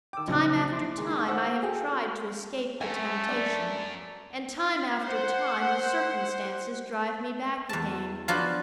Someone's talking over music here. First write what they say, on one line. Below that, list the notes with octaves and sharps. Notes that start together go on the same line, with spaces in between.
Time after time I have tried to escape the temptation; and time after time the circumstances drive me back again.
D#3 G5 D6 E6
A#1 C#3 F#3 D#4
E4 C6 D6
D#3 G#3
C5 F#5 E6
F#4 G#4 A4 G5
F#2 A3 G#5
D4
C5 F#5
E2 A5
F3 F#3 B3 D4 F4 F#4